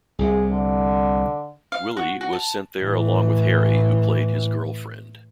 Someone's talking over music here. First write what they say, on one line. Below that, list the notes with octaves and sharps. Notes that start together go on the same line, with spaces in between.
Willie was sent there along with Harry, who played his "girlfriend".
C2 C3 G#4
D3
F5
F#4
F#4
A5
A2 E3